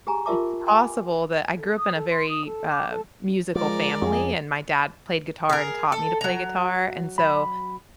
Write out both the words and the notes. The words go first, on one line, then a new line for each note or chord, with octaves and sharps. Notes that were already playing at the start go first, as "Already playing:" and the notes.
it's possible that I grew up in a very, uh, musical family, and my dad played guitar and taught me to play guitar, and so
G4 G#4 G#5 A#5
F4 G4 A#4 E5 A5 D6
G5 G#5 C6 D6
A4
D#6
A4
C6
D#6
A4
D6
A4
F3 G#3 A#4 D5
F2 G#4
G#4 A#4
A4
F#3 A#5
B5